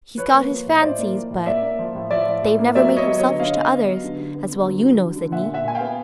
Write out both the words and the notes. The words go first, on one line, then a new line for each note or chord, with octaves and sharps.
He's got his fancies, but they've never made him selfish to others, as well you know, Sidney.
F3 B4 C#5
A#3
F3
A2
D#5
A2 C5 D5
A#3
F3
A2
A#3 D5 E5
A#3
F3
A2
F3 D5 E5
A2
A2
A#3
F#3 D5 E5
B3
C#5 D#5
F#3
C#5 D#5
D3
D3 D#5 F5
B3
B3
F#3
D3
D3
B3
D3
F#3
F#3
D3
D3
A#2 E5 F#5
A#2
E5 F#5
A#2 G#5
F5 G5
B3